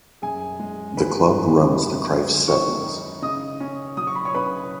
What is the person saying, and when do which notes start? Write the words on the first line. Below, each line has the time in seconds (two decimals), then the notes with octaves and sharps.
The club runs the Crieff Sevens.
0.22 F#2 G#4 G#5
0.59 G#3
0.97 D#3 B4 B5
1.35 D#4
1.72 F#2
2.10 G#3
2.47 D#3 C#5 C#6
2.85 D#4
3.22 C#3 D#5 D#6
3.60 C#4
3.97 F#3 D#6
4.07 C#6
4.16 B5
4.25 C#5 C#6
4.35 C#3 B4 B5